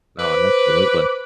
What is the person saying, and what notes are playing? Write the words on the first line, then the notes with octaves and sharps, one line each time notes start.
No, and absolutely.
B4 C5 D6